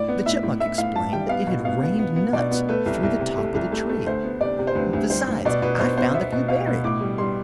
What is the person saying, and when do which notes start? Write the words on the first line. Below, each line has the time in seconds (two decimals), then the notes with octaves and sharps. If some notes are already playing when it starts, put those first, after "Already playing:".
The Chipmunk explained that it had rained nuts through the top of the tree--"Besides, I found a few buried!"
Already playing: A2 D5
0.08 B3
0.26 A2 E5
0.43 A2
0.60 A2 E5
0.78 A2 F5
0.95 A2 A5
1.13 G3 G5
1.29 B3 F5
1.47 B2
1.65 B3 F5
1.82 B3
1.99 B3
2.16 B3
2.33 B2 D5
2.51 B3
2.69 A3 B4
2.86 C2
3.03 C2
3.19 C3
3.37 A3
3.55 C2
3.72 A3
3.89 A3
4.06 D2 C5
4.24 B3
4.41 C3 D5
4.59 C3
4.67 C5
4.75 D2 B4
4.93 D2
5.10 G3 C5
5.28 D2
5.45 B2 D5
5.62 B2 B4
5.79 B2 C5
5.97 B3 C5
6.14 B3 E5
6.32 B2
6.48 B2 F5
6.66 B2
6.84 A2 D6
7.01 G3
7.18 G3 C6